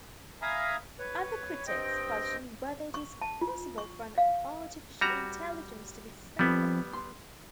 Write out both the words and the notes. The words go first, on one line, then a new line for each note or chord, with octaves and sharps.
Other critics question whether it is possible for an artificial intelligence to be friendly.
E5 F5 G#5 A#5 B5 D#6
B4 C#5
G2 C4 D#5 G5
C#6
A5
F4
C#6
F5
G3 F#4 A#5
F3 G3 B3 C4
C6